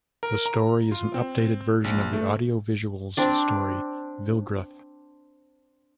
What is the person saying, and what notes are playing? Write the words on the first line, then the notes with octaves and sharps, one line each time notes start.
The story is an updated version of the Audio Visuals story "Vilgreth".
A#4
A#5
F4
C4
A#1
A3
C4 D4